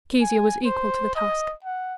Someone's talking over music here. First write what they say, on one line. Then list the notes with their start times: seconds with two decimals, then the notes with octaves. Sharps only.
Kezia was equal to the task.
0.22 G#5
0.65 C5
1.16 D#5
1.64 F#5